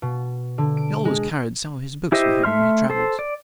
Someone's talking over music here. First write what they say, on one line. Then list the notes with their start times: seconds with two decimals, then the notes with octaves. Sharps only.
He always carried some of his books with him when he traveled.
0.02 B2
0.58 D3
0.77 D7
1.05 G#3
2.12 E4 G4 C5 D#5 E5
2.44 A3 E5 C6 F6
2.90 A4 C5
3.19 D5